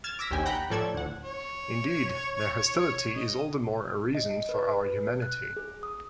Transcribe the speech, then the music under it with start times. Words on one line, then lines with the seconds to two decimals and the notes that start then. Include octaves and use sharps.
Indeed their hostility is all the more a reason for our humanity.
0.04 F6 G#6 A6 E7
0.19 D6 E6 A#6 B6
0.31 A#1 D#2 G4 G5 G#5
0.46 F#5 G5 A#5 B5 F#6 G6
0.70 A2 F3 A4 D5 G#6 E7
0.95 D2 F#5
1.24 C#5
3.15 D#5
4.15 D#5
4.49 B4
5.22 F#6
5.57 G#4
5.83 D#6